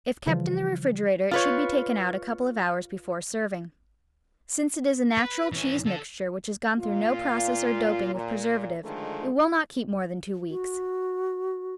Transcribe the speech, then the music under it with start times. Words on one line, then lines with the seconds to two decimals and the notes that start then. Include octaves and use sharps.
If kept in the refrigerator, it should be taken out a couple of hours before serving. Since it is a natural cheese mixture, which has gone through no process or doping with preservative, it will not keep more than two weeks.
0.27 C#3 E3 F3 G3
1.31 F4 B4 C#5
5.18 B4
5.52 E3 C#4
5.86 D3 A4
6.79 A#2 F4
8.14 A#2
8.84 D3 D#3 F3 G#3 A3
10.50 F#4